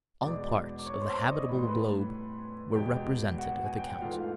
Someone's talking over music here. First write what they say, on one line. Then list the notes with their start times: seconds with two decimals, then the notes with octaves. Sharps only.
All parts of the habitable globe were represented at the Council.
0.23 E2 B2 G#3 D5 D6
0.79 D6
0.86 C#5 C#6
1.01 C5 C6
1.17 D5 D6
1.27 D#5 D#6
1.49 A2 E3 G3 B5
1.59 C6
1.68 B4 B5
2.75 E2 B2 G#3 G4 G5
3.38 F#4 F#5
3.64 G#5
3.77 G5
3.89 F#5
4.01 G#2 E3 A3 F4 F5